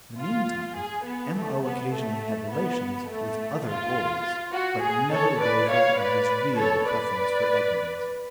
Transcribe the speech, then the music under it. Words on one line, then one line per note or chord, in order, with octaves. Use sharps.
In the meantime M.O. occasionally had relations with other boys, but never wavered in his real preference for Edmund.
F4
G#4
B3
A3
B3
A3
B3
A3
F4
F#4
G#4
A4 C#5
B4 D5
C#5 F5
B4 D5
A4 C#5
B4 D5